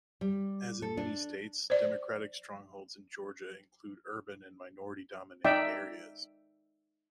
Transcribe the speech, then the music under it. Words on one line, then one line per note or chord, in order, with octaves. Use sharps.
As in many states, Democratic strongholds in Georgia include urban and minority-dominated areas.
G3
A4
D4
C5 D5
D#4 D5 E5 G5